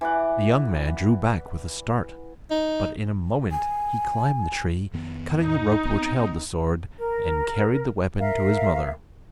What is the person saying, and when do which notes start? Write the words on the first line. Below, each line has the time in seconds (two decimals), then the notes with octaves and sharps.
The young man drew back with a start; but in a moment he climbed the tree, cutting the rope which held the sword, and carried the weapon to his mother.
0.01 E3 D5 F#5
2.51 D#4
3.51 G#5
4.93 F2 D#3 B3
5.41 E2 A2 D#4
5.85 B3 C4
6.99 A#4
8.20 A#4 E5 F5